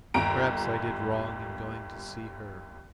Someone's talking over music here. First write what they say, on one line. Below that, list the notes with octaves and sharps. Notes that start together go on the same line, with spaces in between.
Perhaps I did wrong in going to see her.
G1 D#2 A#5 D7